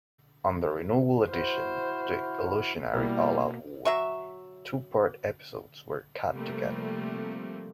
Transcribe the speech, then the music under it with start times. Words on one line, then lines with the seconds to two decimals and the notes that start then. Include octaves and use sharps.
On the renewal edition, the "Illusionary All-Out War" two-part episodes were cut together.
1.31 E4 F#4 C5 F6
2.94 B2 G3 A#3 E4 A#4
3.85 F#3 E5 C#6
6.31 C3 F3 G3 A3 A#3